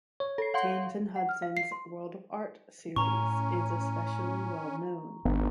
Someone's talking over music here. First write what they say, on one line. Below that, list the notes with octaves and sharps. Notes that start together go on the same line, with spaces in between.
Thames and Hudson's "World of Art" series is especially well-known.
C#5
A4 C7
F5 F#5 C6
F#5
F6
F5
C7
C6
A2 C#4 A#5 C#6
G#1 B3 D4